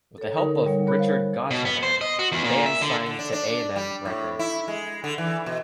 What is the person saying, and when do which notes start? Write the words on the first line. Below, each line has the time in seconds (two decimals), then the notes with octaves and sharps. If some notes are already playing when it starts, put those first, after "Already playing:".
With the help of Richard Gottehrer, the band signed to A and M Records.
0.18 A4 C#5
0.38 D3 D#4 A#4
0.66 G3 C#5 F#5
0.87 A#4 C#5 B5 F#6
0.99 C5 F5 F#5
1.51 B2
1.65 B3
1.83 C5
2.01 D#5
2.19 F#4
2.32 E2
2.44 A#2
2.66 E5
2.81 D3
3.06 D3
3.19 D4
3.33 D4
3.76 G3
4.05 A2
4.39 E4
4.68 G#3
5.04 D3
5.18 E3
5.46 B2